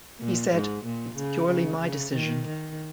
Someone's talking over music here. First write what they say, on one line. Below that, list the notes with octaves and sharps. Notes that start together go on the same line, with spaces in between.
He said: It's purely my decision.
A#2
G#2
A#2
C#3
C#3
C#3
D#3
D#3